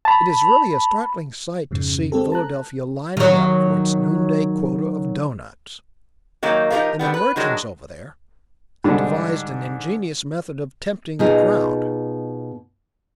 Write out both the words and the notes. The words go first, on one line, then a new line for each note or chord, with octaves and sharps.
It is really a startling sight to see Philadelphia lining up for its noonday quota of doughnuts, and the merchants over there have devised an ingenious method of tempting the crowd.
A5 B5
F2 G#2 C#3
G#3 C4 G4 A4
A5 A#5 F#6
D#3 F#3
D#3 F#3 A#3 D#4
F3 D#4 G4 A4 A#4 F5
D3 G3 B3
B4
D#3 F#3 G#3 D4
G#2 D3 G3 D4
B2 D#4 F4 G#4